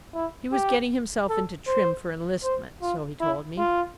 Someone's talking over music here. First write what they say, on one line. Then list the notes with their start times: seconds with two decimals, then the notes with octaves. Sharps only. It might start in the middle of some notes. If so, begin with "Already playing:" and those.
He was getting himself into trim for enlistment, so he told me.
0.14 E4
0.52 G4
1.30 A4
1.67 C5
2.44 C5
2.82 F4
3.20 E4
3.58 F4